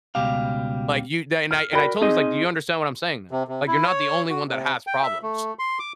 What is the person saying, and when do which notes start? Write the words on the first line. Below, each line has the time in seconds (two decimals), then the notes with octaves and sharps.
Like, you then I and I told him, I was like, "Do you understand what I'm saying now? Like, you're not the only one that has problems."
0.15 C#2 B2 G3 G4 F5
1.51 F6
1.73 F#4 A#4 D5 G5 B5
2.02 C4 D#4 G#4 D#5
3.31 C3
3.48 C3
3.67 E4
3.86 C#5
4.29 F#4
4.48 C3
4.87 G5
5.03 E5
5.23 A3
5.59 C6
5.79 D6